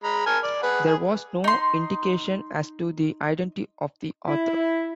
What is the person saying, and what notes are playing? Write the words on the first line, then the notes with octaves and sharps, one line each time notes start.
There was no indication as to the identity of the author.
G#3 A#5 B5
A#4 G#5 A5
D5
G#4 B4 F#5
G#4
D#4 C6
E4